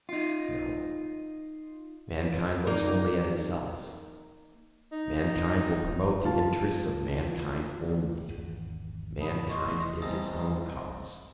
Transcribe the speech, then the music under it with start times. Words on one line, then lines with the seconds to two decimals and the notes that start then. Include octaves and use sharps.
No, mankind looks only at itself, mankind will promote the interests of mankind only, mankind is its own cause.
0.09 D#4 F4
2.67 A#3 D#4 D5
4.92 D#4
6.25 F4 A5
8.29 G#1 E2
9.20 G#2 C#3 A5 B5 D#6
9.50 A#3 D#5 C6 C#6
9.65 F1 E2 A3
10.02 C2 G#2 D#5 A5